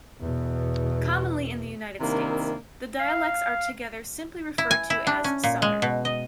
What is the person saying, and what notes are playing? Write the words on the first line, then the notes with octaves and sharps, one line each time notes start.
Commonly in the United States, the dialects are together simply referred to as Southern.
E2 B2
C3 D#3 A#3 D4 E4
F5
E4
G#5
E4
D4
C#4
A#2
G#3
B2
D#5